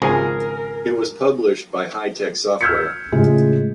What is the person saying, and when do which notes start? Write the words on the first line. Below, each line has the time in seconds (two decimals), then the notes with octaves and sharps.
It was published by Hi-Tec Software.
0.02 G#1 C#2 F3 G#4 A#4 G#5
2.61 E6 F6 G6 G#6 B6 C#7
3.12 A2 C#3 G#3 F4 G#4